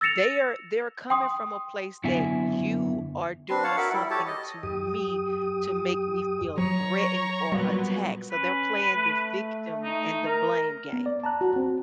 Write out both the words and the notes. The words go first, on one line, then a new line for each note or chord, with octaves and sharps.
They are they're coming from a place that "you are doing something to me to make me feel threatened or attacked," so they're playing the victim and the blame game.
E6 A6 A#6 C#7 E7 F7
G5 C6 D#6
F#2 D3 B3 E4 E5 G#5
C4 D4 B4 C6
C#5 F5 F#5 A5
F#4 A#4 E5 F#5
G3 E4
G4 A4 C#5 A5
D#5
F#2 G4 D#6
F#3 C#5 A#5
A#2 F#3 G3 B3
C#4 B4
A3
D#4
A#4 A#5
B3
D5
A5 A#5 F#6
F#4
C4